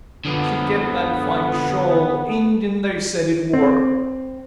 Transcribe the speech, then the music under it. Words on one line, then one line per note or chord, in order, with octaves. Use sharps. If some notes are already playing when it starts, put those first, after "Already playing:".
She kept that fine shawl, Indian they said it wor.
D3 F3 B3
C4